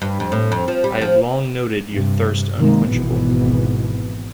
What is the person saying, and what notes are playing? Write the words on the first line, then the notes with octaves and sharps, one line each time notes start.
I have long noted your thirst unquenchable.
G2
F2
A2
F2
F3
G3
F3
G2 C3
C3 D#3 G#3 A#3
G#1 G#2 B2 E3 B3